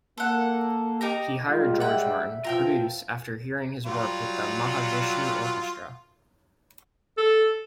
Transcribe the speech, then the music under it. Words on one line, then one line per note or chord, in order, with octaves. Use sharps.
He hired George Martin to produce after hearing his work with the Mahavishnu Orchestra.
A#3 A4 F#5
D#4 G4 A#4 A#5
G3 G#3 F4
E5 F#5 G5
E3 F3 F4 A#4 G5 E6
F#3 G3 F4
A4